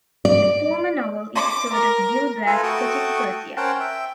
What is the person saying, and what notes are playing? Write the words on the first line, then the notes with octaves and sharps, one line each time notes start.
The former novel is a sort of "Gil Blas" set in Persia.
D5
D6
A#4
F4 A4 B4 E5 G#5 A#5
A3 F#4 G5 A5 C#6 D#6
C#4 A#4 C5 F#5 G5 A5
E5 G5